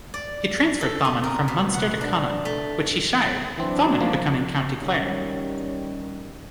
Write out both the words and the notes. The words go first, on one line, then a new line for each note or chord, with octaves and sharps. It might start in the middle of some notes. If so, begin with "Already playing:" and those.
He transferred Thomond from Munster to Connaught, which he shired, Thomond becoming County Clare.
D5
A4
D#5
A#4
B2
F#5
D4
A3
E3 F#3 C4 D4
F3 A#3
D#3 G3 C#4